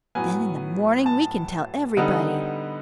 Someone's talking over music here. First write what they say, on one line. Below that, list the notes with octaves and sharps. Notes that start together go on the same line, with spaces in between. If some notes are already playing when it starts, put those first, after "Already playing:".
"Then in the morning we can tell everybody."
A2 F#3 B3 G#5
A5
D3 G3 B3 D#4